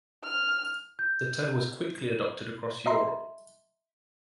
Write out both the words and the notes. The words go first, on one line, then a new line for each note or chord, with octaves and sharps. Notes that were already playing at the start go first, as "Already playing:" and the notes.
The term was quickly adopted across Europe.
F6
G6
D#5 E5 A#5 C6